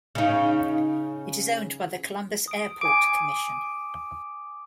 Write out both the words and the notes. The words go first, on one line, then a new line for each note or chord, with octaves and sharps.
It is owned by the Columbus Airport Commission.
C#3 D#4
D#6 D7
G#5 D6 D7